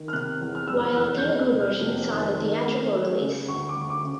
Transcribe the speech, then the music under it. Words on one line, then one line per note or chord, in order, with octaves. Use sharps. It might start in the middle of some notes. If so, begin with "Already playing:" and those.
While Telugu version saw the theatrical release.
Already playing: D#3
F6
C3 F#6
E2
F6
F1 E6
F6
E2 F#6
G6
E2
F#6
C3
F6
F1
D#3
D#3
A3
A3
C#3
D2 C#6
D6
D2
C#6
D6
C#3